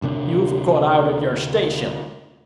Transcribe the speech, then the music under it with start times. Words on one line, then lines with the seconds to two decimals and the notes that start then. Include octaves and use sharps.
You've got out of your station.
0.02 D2 C3 G3 D4